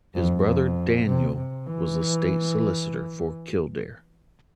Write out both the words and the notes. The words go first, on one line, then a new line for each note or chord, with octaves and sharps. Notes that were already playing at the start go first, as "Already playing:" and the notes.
His brother Daniel was the State Solicitor for Kildare.
F2
F2
C3
C3
E3